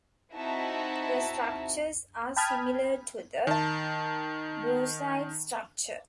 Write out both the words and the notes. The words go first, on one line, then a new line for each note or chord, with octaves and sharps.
The structures are similar to the brucite structure.
C4 D#4 E4 F#4 E5 A5
G5 A5 B5 D#6 F6 G#6
D#3 A5